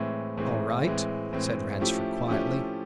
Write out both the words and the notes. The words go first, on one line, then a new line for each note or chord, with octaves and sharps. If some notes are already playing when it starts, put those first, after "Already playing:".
"All right," said Ransford quietly.
Already playing: A2 E3 G#3 C4
A2 E3 G#3 C4
A2 E3 G#3 C4
A2 E3 G#3 C4
F3 A3 C#4 E4 G4
F3 A3 C#4 E4 G4